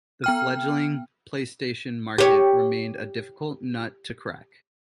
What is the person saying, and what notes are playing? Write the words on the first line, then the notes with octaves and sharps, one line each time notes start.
The fledgling PlayStation market remained a difficult nut to crack.
B3 G5 F6
G4 C#5